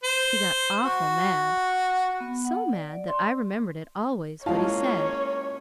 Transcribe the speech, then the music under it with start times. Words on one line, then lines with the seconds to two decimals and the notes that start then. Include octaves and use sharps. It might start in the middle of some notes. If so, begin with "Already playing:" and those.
He got awful mad--so mad that I remembered it always--what he said.
0.04 C5
0.82 F#4
2.20 B3
2.45 F#5
2.73 D5
3.08 C6
4.46 G#3 A#3 C#4 E4 F4 C#5 F5 A5